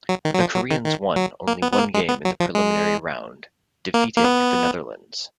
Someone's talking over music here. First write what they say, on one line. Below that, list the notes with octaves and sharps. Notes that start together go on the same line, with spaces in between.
The Koreans won only one game in the preliminary round, defeating the Netherlands.
F#3
D#3
F#3
F3
F#3
D#3
D#3
F#3
A#3
B3
B3
A#3
G#3
B3
F#3
F3
G#3
A#3
A#3
B3